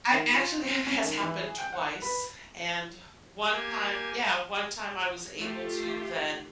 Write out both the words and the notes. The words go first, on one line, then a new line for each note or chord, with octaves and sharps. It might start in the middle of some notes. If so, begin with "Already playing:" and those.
I, actually, that has happened twice, and one time yeah, one time I was able to then,
D#3
F4
C4
C#4
D#3
E3
G#4
G5
F#5
B4
A#3 G4 G#5
A3 F4 G4